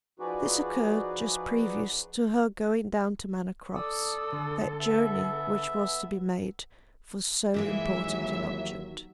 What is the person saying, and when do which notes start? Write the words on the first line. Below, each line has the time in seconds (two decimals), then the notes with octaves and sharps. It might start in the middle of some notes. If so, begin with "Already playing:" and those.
This occurred just previous to her going down to Manor Cross,--that journey which was to be made for so important an object.
0.19 F3 D#4 F#4 G#4 B4 D5
3.75 A4 D5 D#6 E6
4.32 D3
4.79 B3 E5
7.54 A#2 E3 G#3 E5
7.98 D#2 F#3